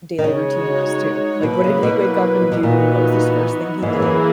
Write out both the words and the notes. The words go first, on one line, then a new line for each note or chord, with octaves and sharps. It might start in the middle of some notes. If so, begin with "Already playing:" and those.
daily routine was too, like, what did he wake up and do, what was his first thing he did?
D#3
C#3 G#3 D#4 F#4 C#5
B2 F#3 A#3 E4 B4
C#3
B2
B2
A#2 E3 B3 D#4 F#4
G#2 E3 A#3 E4 G#4
F#2